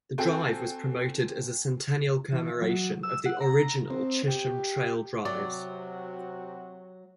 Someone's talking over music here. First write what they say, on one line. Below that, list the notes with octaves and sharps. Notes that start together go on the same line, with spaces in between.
The drive was promoted as a centennial commemoration of the original Chisholm Trail drives.
C4 F#4 A4 G5 G#5
E3
F#3
E6
F#5
A#5
C4
G4
C3 F#3 F#4 D5